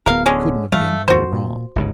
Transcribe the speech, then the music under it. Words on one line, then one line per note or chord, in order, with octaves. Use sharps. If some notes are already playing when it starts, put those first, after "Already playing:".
He couldn't have been more wrong.
D1 B3 A#4 F5
D3 G#3 C#4
E3 F#3 G3 A3 F5
D#2 G#2 D#3 F#4 C5
A#2
G1 C#2 G#2